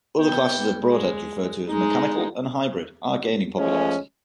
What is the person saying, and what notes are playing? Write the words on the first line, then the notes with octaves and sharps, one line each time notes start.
Other classes of broadheads referred to as "mechanical" and "hybrid" are gaining popularity.
B3 G5
G#3
G#3 D#4
F3 G#3 A3 C#4